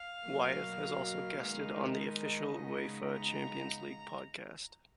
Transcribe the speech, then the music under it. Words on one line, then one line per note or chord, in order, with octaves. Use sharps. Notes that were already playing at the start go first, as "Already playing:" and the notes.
Wyeth has also guested on the official Uefa Champions league podcast.
Already playing: F5
B2 F#3 A#3
D#3 G#3 B3 D#4
D#5
C#3 G#3 B3 D#4
A#5